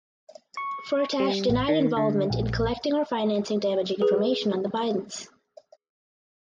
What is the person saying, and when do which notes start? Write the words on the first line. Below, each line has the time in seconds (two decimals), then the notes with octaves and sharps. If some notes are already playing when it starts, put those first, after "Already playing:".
Firtash denied involvement in collecting or financing damaging information on the Bidens.
0.57 C#6
1.20 G3
1.49 A1
1.68 D#3
1.97 D3
2.30 A#1
4.01 G#4 B4